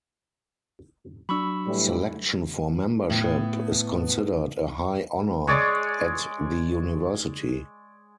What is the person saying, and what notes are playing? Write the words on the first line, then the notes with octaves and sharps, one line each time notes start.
Selection for membership is considered a high honor at the University.
F#3 D4 B5 C#6 E6
A2 E3 G3
A2 B3
G#3 C#5 D5